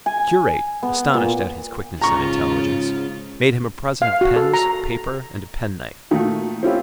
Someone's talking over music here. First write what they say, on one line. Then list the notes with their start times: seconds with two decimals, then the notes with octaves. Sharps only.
The curate, astonished at his quickness and intelligence, made him a present of pens, paper, and a penknife.
0.06 G#5
0.83 B3
1.14 A#2
2.01 G#2 C#3 F4 A#5 C#6
4.02 F5
4.21 F#4
4.36 A4
4.54 A#5
6.11 A#2 D#3 A3 F#4
6.63 C4 C#4 E4 F4 G4